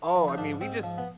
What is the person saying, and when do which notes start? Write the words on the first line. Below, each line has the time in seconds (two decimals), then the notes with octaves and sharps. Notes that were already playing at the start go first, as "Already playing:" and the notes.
oh, I mean, we just
0.16 F3
0.28 D#4
0.38 G#2 D4
0.61 G#2 C4
0.83 F3
0.98 B3